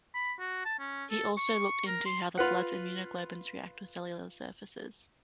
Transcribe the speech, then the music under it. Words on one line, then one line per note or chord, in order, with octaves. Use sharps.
He also looked into how the blood's immunoglobins react with cellular surfaces.
B5
F#4
A5
C#4
A4
C#6
A#4
C6
F4 B4 F#5